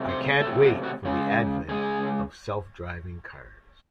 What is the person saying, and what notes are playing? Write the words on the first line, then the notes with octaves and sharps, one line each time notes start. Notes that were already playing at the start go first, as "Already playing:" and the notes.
I can't wait for the advent of self driving cars.
Already playing: C3 F#3 A3
C5
C3 F#3 A3 A4
F#4
F#4
C#3 G#3 C#4
C#3 G#3 G#4